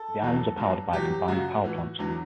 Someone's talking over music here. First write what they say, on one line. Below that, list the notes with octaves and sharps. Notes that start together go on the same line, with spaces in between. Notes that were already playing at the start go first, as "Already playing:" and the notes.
The islands are powered by a combined power plant.
Already playing: A4
E2 B2 F#3
G2 F#3
E2 B2 F#3 G4
F#2 C#3 F#3 F#4
A2 E3
E2 D3 F#3